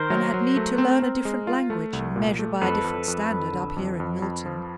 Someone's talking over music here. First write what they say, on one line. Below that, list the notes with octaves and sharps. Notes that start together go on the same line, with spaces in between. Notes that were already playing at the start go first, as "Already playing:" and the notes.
One had need to learn a different language, and measure by a different standard, up here in Milton.'
Already playing: D#3 A#4 C5
F#3
F#3
A3
C4
C4
G#3
F4
A3
C2
A#2
A3
F2 A4 B4
F2
F2
F2
D3
F2
F2
F2
F3